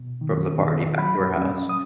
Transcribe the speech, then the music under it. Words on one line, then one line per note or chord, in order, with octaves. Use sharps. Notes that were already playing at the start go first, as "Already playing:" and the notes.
from the party back to her house,
Already playing: B2
D#3
D#3
F#3 B5
C#4
D#6